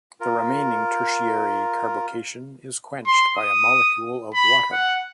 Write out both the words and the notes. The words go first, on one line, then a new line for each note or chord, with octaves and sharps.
The remaining tertiary carbocation is quenched by a molecule of water.
F4 A#4
C6
D#6
B5
F#5